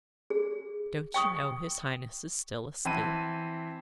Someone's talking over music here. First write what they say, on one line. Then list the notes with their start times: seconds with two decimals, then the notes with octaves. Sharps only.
Don't you know his highness is still asleep?'
0.30 G#4
1.14 G5 C#6 D#6
2.85 E3 C4 A5 B5 D#7